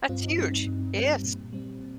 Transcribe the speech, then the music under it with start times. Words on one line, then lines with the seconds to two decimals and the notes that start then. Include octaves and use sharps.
That's huge. Yes.
0.09 G2 C4 F4
0.24 D#4
0.37 G3 C4 D#4
0.52 C4
0.67 G2
0.95 G3 C4
1.24 A#2
1.53 G3 C4
1.81 A#2